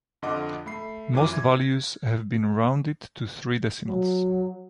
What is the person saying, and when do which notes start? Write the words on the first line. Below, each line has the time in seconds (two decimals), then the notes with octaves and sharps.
Most values have been rounded to three decimals.
0.22 F2 D3 F4 D#5 F#5 D6
0.66 A3 B5 C7
1.14 F#2 E3 F4 D6 D#7
1.34 G#6
3.87 F#3